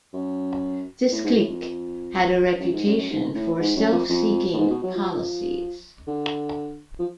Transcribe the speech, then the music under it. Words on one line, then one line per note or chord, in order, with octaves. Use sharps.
This clique had a reputation for self-seeking policies.
F#2
A2
G#2
B2
A2
F2
F#2
G#2
F#2
F#2
G#2
A2
G#2
F#2
F2
F2
A2
G#2
B2
F#3
F3
D3
F3